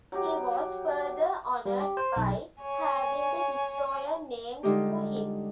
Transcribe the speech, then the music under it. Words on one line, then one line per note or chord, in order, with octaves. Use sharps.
He was further honored by having the destroyer named for him.
F#3 G4
G3
G4
C5
B1
C#5 G#5
D3 G3 G#3 D#4 F4 G4